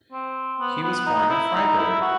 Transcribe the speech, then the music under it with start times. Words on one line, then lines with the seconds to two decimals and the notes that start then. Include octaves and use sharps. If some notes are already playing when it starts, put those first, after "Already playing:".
He was born in Freiburg.
0.12 C4
0.60 B3
0.83 B3
1.06 D#4
1.30 E4
1.55 D#4
1.78 E4
2.01 F#4